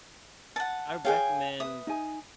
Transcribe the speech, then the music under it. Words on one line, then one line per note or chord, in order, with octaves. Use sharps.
I recommend,
F#5 A5
G#4 C#5 F5 G5 G#5
B4 E5 D#6
D#4 G#5